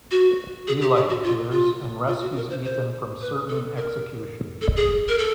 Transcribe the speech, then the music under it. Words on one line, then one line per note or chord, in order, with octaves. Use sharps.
Elli appears and rescues Ethan from certain execution.
F#4
G#4
G4
G4
F#4
F4
F4
F4
F#4
A#4
C5
C5
B4
A4
A#4
A4
G#4
A#4
A4